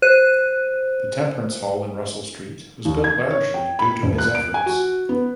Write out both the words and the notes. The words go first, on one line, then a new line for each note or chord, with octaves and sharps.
The Temperance Hall in Russell Street was built largely due to his efforts.
C5 F#6 D#7
D#2
G#6
C#5
G5
B5
D#1
F#6
D7
G#5
F#4
B3